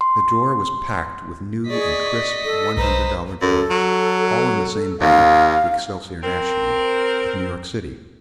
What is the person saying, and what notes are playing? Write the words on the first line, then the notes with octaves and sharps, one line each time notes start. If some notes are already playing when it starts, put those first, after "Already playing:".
The drawer was packed with new and crisp one-hundred-dollar bills, all on the same bank, the Excelsior National, of New York City.
C6
G#4 D5 D#5 C#6 B6
A4
B1 B4 C5 A#5
F#2 A4
F#3
D#2 F5
C4 A#4